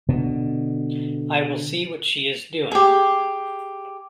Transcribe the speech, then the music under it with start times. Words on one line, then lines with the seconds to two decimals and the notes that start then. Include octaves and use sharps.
I will see what she is doing.
0.09 B2 D3
2.72 G4 G#4